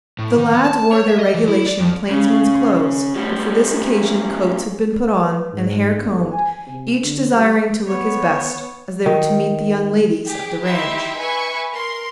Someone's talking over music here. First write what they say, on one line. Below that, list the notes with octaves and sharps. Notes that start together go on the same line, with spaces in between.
The lads wore their regulation plainsman's clothes, but for this occasion coats had been put on and hair combed, each desiring to look his best, as they were to meet the young ladies of the ranch.
A2
D#3
B3
A5
C#5
E5
D#5
E3
E4
D5
F2
C#3
A2 G3
B4
G#2
G1
G#5
C3
D3
G3
B3 C#5
D#3
G4 G#4
D#4 E4 G4 E5 C6
B4 E5 G#5 C#6
A#4 C6